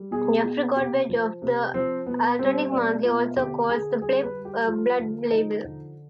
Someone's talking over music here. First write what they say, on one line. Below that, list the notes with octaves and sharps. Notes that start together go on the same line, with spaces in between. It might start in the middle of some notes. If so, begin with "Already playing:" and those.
Jeffrey Goldberg of "The Atlantic Monthly" also calls the play a blood libel.
Already playing: G3
B2 G#4
B2
C3 G4
F3
C3
F3 C4
B2 B3
G3 C4
B2 D4
B2 F4
D3 G4
D3 G#4
G3 G#4
B4
G3
G4
F3 F4
D3
F3 D#4
D3